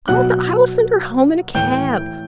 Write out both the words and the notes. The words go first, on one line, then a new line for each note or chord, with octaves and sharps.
'Oh, but I will send her home in a cab.
B2 F#3 F#5 F#6
A2 E3 G5 G6